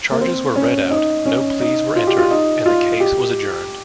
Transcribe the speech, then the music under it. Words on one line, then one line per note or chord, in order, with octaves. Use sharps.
Charges were read out, no pleas were entered and the case was adjourned.
A#3
C4
C#4
D#4
C#4
D#4
F4
G4
F4
D#4
F4
G4